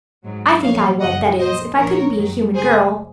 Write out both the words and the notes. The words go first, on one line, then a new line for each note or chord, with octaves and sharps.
I think I would--that is, if I couldn't be a human girl.
G#2 F#3
A#2 F3 C#5 F5
F#2 C#3 F#3 D#5 F#5
A#2 F3 C5 D#5
A#2 F3 A#4 C#5
F#2 D#3 F#3
F#2 C#3 F#3 G#4 C5